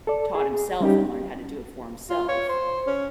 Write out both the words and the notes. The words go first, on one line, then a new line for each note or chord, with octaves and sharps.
taught himself and learned how to do it for himself.
A4 D5
G#4
G3 C#4 D#4 G4
F4
C#5
C5
C#4